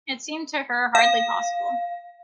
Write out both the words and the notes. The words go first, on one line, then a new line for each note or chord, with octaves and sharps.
It seemed to her hardly possible.
F5